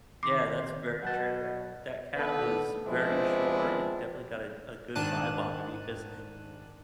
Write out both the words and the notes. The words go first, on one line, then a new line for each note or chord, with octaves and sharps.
Yeah, that's very true. That that cat was very sure, and definitely got a a good vibe off of you 'cause
E2 C3 D#3 C6 D6
B2 F#3 F#5 A5 F#6 G6
D#3 B3 D4 A4 B4
F3 G#3 B3 C4 D4 E4
G#2 D#3 D4 A5 F#6 D#7